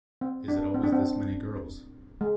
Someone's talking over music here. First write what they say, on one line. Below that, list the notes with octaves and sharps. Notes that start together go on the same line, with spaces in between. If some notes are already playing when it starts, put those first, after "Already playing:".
Is it always this many girls?
C4
D4
C4
D4
C4
G#3